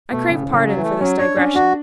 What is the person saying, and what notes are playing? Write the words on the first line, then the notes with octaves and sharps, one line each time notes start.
I crave pardon for this digression.
B2 A3
A2 C#3
A2
C#3
F#3
E3
A3
F#3 C#4
D4 C#5
C#4 D4
D4 F#4